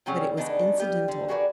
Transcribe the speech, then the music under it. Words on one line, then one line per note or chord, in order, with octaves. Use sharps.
But it was incidental.
C3 F#3 G3 C#4 G#4
C#3 G#3 B3 D4 D#4
G3 B3 G4
D3
F#4 G#4 A#4 B4 C#5 D5